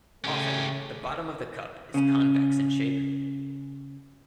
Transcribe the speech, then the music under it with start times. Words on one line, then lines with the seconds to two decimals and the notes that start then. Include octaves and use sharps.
Often, the bottom of the cup is convex in shape.
0.24 C#3 A3 C#4 G4
1.94 C#3 C#4